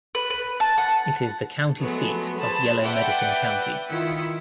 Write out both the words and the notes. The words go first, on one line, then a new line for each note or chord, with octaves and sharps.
It is the county seat of Yellow Medicine County.
B4
B4
A5
F#5
F3 F#3 G#3 A3 B3
G#4 C5 A5 B5
B4 D5 E5 F#5 G5
D#3 E4 F4 B6 C#7